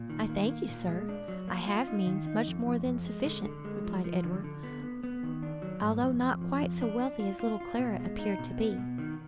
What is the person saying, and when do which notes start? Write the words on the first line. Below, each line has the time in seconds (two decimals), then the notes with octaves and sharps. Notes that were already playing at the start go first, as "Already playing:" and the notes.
"I thank you, sir, I have means, much more than sufficient," replied Edward, "although not quite so wealthy as little Clara appeared to be."
Already playing: A#2
0.10 D#3
0.30 A#3
0.49 A#3
0.68 A#2
0.88 G#3
1.09 D4
1.28 F#3
1.48 A#3
1.68 F4
1.87 D#4
2.06 D#3
2.27 D#4
2.47 F2
2.66 F2
2.85 F2
3.06 G#3
3.26 D3
3.45 D3
3.65 G#3
3.84 F3
4.04 F3
4.24 D3
4.44 D3
4.63 B3
4.83 B3
5.04 B3
5.23 D#3
5.43 D4
5.62 F#3
5.82 G#2
6.02 F2
6.22 F2
6.41 F3
6.61 F2
6.81 D4
7.00 D4
7.20 F4
7.40 F4
7.60 F4
7.79 B2
8.00 G#3
8.19 D#4
8.39 B2
8.59 B3
8.78 B2
8.98 D#3